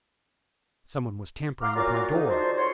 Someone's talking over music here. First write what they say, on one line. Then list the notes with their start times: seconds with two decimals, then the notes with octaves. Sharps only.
Someone was tampering with my door!
1.62 F5 F#5 A#5 C6 D6 F6
1.75 A#2 F#3 F4 F#4 A#5 D6
2.12 C#2 D3 D#4
2.28 G#3 D4 F4 F#4 C5
2.58 C#5 C6